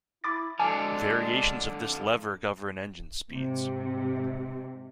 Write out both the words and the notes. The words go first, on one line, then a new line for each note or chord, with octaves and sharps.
Variations of this lever govern engine speeds.
E4 B5 D6 A6
D3 F3 G#3 D4 G#5 A5 D6
G#2 C3